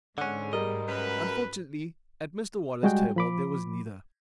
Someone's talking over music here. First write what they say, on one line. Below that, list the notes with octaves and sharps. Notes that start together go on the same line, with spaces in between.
Unfortunately, at Mr Waller's table there was neither.
G#2 D3 G#3 C#4 F#5
G3 A#4 D#5
F#2 B4
G3 G#3 F#4 G#4 G5
F3 B5 D6